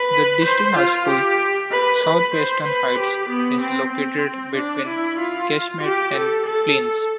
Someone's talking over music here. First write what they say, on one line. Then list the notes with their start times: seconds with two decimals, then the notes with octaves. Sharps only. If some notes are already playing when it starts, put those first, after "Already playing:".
The district high school, Southwestern Heights, is located between Kismet and Plains.
Already playing: B4
0.45 C5
0.76 F4
1.08 G4
1.71 B4
2.03 B4
2.35 C5
2.66 B4
2.98 G4
3.30 B3
3.61 C4
3.93 C4
4.56 D4
4.88 E4
5.19 F4
5.83 G4
6.15 A4
6.47 A4